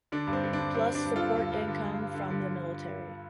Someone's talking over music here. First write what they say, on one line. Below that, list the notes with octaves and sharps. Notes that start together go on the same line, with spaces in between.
Plus support income from the military.
D3 D4
G2
C4
D3
D4
G2
G2 C4
G2
D4
G2
D3 F4 A4
G2
G2
D3
G2
G2
D3
D3